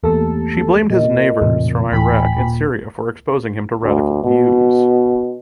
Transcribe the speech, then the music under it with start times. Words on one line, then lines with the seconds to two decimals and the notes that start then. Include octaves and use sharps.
She blamed his neighbours from Iraq and Syria for exposing him to radical views.
0.03 E2 A3 A#3 G4 A4
0.89 A#2 A4 A#4 D#5
1.41 E2 A2 C3
1.92 D1 A2 E3 G5 G#5 B5
2.35 D#1 A#2
3.83 D2
4.24 B2